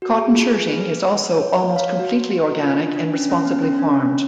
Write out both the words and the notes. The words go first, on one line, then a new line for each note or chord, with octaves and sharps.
Cotton shirting is also almost completely organic and responsibly farmed.
F#4
G#4
F4
G#4
B4
C#5
C#5
F5
F#4
F4
D4
D4
C#4
C#4
B3
C#4
D4
C#4